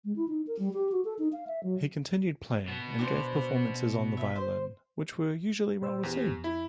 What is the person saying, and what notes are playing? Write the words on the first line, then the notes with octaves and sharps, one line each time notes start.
He continued playing and gave performances on the violin, which were usually well received.
G#3
E4
D#4
A#4
G3
G4
F#4
A4
D#4
F5
E5
F#3
B2 B3
D4 F#4 C5
E5
C5
A#2 C5 E6
E2 B3 G4
F2
E4